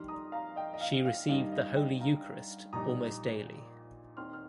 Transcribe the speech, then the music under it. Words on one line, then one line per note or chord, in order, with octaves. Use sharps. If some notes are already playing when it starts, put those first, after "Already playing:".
She received the Holy Eucharist almost daily.
Already playing: F2 D#3 G3 D#4 C6 F6
A#5 D#6
F5 A#5
D#5 G5
D#5
F5
F5
G2 D#3 G3 D#4 F5
D#5
D#5 G5
F5 A#5
A#1 A#2 G3 D#4 A#5 D#6
D#2 D#3 C4 D#4 C6 F6
F6